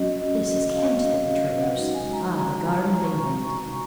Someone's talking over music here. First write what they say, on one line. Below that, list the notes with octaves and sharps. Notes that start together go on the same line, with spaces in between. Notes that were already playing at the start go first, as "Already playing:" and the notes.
This is Kent that we traverse; ah, the garden of England!
Already playing: F#3 C#4 F#4 D#5
D#5
F5
D#5
F5
B4
F#5
G#3 D#4 F#4
G#5
A#5
A#5
C#6
C#6
C#6